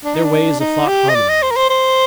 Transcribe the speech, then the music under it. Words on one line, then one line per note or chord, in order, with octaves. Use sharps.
Their ways of thought harmonized.
D4
D#4
D4
D#4
G4
D#5
D5
D#5
C5
A#4
C5
C5